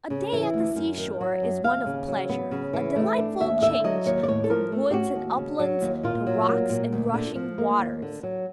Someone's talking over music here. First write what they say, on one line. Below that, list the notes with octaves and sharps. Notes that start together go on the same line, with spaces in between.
A day at the seashore is one of pleasure, a delightful change from woods and uplands to rocks and rushing waters.
C#3
E3
D2
F#2
D#3
F#3
F#2
D#2 F5
C#3
F#3
B3
C#3
E3
A3
D4
D#2 E5
D3 E5
F#3 D#5
D#2 C#5
D5
A2 C#5
A4
F3 A#4
A3
G4
C#4 F#4
D#2
C#3
F#3
D#2
A#2 F4
F#3
A#3
A#2
D2
D3
F3
A#3
D#2
D3
F#3